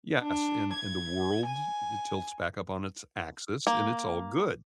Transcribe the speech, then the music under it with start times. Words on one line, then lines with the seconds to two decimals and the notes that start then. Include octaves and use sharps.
Yes, in in the world, it tilts back up on its axis, and it's all good.
0.23 D4
0.74 G#6
1.47 G#5
3.67 A#3